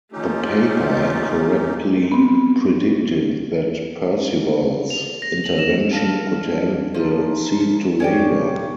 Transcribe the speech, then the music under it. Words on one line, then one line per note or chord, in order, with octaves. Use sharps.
The paper had correctly predicted that Percival's intervention could hand the seat to Labour.
A3 C#4 D#4 F4 G4
B3 C4
F7
A#6
F#7
E7
D4 A4 F5
F3 D#4
C#4 G4 D5 G5